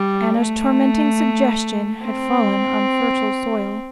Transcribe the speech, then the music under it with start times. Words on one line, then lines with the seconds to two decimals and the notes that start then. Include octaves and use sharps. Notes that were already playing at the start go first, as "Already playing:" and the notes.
Anna's tormenting suggestion had fallen on fertile soil.
Already playing: G3
0.38 A3
2.04 C4